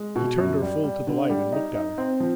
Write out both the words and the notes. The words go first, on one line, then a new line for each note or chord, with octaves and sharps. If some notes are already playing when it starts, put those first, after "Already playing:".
He turned her full to the light, and looked at her.
Already playing: G#3
B2
F#2
G3
G3
D3
G3
D#4
D#4
C4
F3